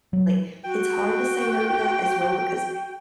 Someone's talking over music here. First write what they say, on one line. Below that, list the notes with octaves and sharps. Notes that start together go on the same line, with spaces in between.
like, it's hard to say no to that as well because
F#3
F#4 G5